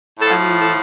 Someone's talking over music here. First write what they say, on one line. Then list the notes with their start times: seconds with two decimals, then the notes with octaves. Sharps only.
I mean,
0.19 A2 F3 A4
0.60 A4